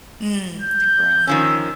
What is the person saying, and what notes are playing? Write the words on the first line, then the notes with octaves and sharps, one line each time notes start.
Mm, to grow.
G6
D#3 F3 C#4 E6